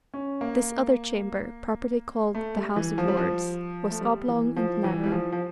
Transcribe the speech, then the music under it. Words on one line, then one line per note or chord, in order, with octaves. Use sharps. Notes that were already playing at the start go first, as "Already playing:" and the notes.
This other chamber, properly called the House of Lords, was oblong and narrow.
C#4
A#3
A3
G3
E3
F3
G3
F3
A3
G3
E3
F3
E3
G3
F3
F3